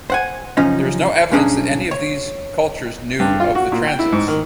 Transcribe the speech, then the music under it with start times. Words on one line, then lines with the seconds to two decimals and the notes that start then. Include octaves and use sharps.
There is no evidence that any of these cultures knew of the transits.
0.10 C5 F#5 G#5
0.57 F#2 C#3 F3 C#4 D#4
1.32 B1 G2 C#4 D4 G#4 A#5
1.91 C#5
3.20 G2
3.40 F4
3.55 F#4
3.72 A#2
3.87 G5
3.99 E4
4.12 G#2
4.28 D#3